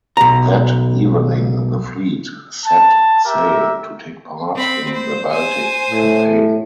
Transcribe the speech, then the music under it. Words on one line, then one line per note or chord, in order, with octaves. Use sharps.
That evening the fleet set sail to take part in the Baltic campaign.
B1 A#5
A5
G4 A#4 E5
C4 B5
C5
C5 G#5
A2